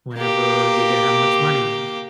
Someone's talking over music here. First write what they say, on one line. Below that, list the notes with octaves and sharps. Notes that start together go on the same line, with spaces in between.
whenever we didn't have much money,
A#3 G4